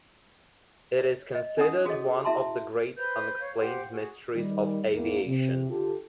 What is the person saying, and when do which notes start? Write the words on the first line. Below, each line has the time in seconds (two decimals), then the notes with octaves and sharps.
It is considered one of the great unexplained mysteries of aviation.
0.99 C#5
1.35 D#5
1.57 C#4 D4 E4 F5 F#5 D#6
1.85 F#4 G#4 A4 C5 C#5 D#5
2.25 E4 F#4 E5 A5 A#5 C6
2.97 B4 C5 G6
3.40 C#5 F5
3.58 G4 C5 F5 F#5
3.91 F#4 G#4
4.35 D#3 G3
4.93 E2 A#3
5.26 C3
5.69 D3 F4 G4 A4